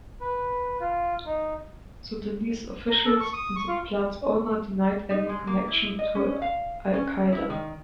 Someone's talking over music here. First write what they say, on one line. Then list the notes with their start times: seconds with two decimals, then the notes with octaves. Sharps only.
Sudanese officials and the plant's owner denied any connection to Al Qaeda.
0.21 B4
0.80 F4
1.26 D#4
2.90 A#5
3.05 A4
3.20 C#6
3.33 D#6
3.56 C#6
3.68 F4
5.11 D#4
5.29 G#3
5.47 A#3
5.68 E4
5.99 D#5
6.15 C#4
6.42 F5
6.93 C#4
7.33 E4
7.50 D#3